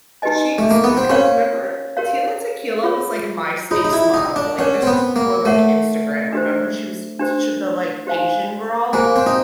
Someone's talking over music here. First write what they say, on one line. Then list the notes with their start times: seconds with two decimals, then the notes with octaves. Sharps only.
she was, like 'member Tila Tequila was, like, MySpace model, like, this was before, like, Instagram, remember? She was ch the, like, Asian girl,
0.22 D#4 G4 B4 D#5 G#5
0.58 A3
0.71 A#3
0.84 B3
0.97 C4
1.09 C#4 G4 A#4 C#5 F5
1.97 G4 A#4 C#5 F5
2.84 F4 G#4 C#5
3.71 D#4 F4 G#4 C#5
3.85 D#4
3.93 E4
4.14 D#4
4.36 D4
4.58 C#4 A#4 C#5 F#5
4.82 C4
4.87 B3
5.16 A#3
5.45 A3 A#4 C#5 F#5
6.32 D4 G4 C5
7.19 D4 G4 C5
8.07 G4 C5 F5 G#5
8.93 A#3 G4 C5 F5 G#5
9.16 C4
9.26 D#4